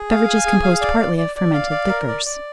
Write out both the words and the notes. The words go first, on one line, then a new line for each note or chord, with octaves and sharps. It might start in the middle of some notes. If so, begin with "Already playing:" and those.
Beverages composed partly of fermented liquors.
Already playing: G#4
F5
G#5
G#4
F5
D5
D5
D5
D5
F5
D5
A#4
D5
D5